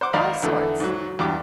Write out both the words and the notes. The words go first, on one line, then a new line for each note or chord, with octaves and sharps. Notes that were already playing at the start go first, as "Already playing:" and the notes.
All sorts.
C5 F#5 D6
G#1 D#4 D5 F5 A#5 B5
E2 D3 E3 A3
G#2 F#3
E2 G2 G4 D6